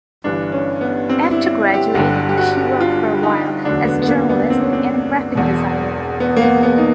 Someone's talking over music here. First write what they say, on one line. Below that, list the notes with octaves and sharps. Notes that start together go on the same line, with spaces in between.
After graduating, she worked for a while as a journalist and graphic designer.
G1 G2 E3 D4
C#4
B3
C4
E4
G4
G1 G2 D3 G4
G4
F#4
F4
D#4
E1 D2 D3 F#3 D4
B3
B3
A#3
B3
C4
C#4
C4
E1 E2 B2
B3
A#3
B3
B3
D#4